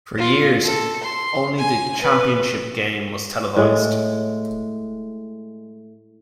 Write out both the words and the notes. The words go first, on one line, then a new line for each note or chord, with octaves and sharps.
For years, only the championship game was televised.
F4
A4
C6
G#5
B4
A2 G#3